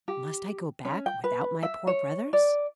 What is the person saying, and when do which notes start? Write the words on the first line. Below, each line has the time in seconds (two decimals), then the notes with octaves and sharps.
"Must I go back without my poor brothers?"
0.08 G4
0.85 C#4
1.06 G5
1.24 B4
1.63 E5
1.87 C#5
2.33 D5